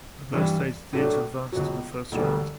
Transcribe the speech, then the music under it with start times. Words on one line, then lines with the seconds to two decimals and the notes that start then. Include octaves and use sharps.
The best eight teams advanced to the first round.
0.33 G2 E3 G3
0.93 A2 F#3 A3 D4 F#4
1.52 C#2 B2 F#3
2.12 E1 D2 D3 G3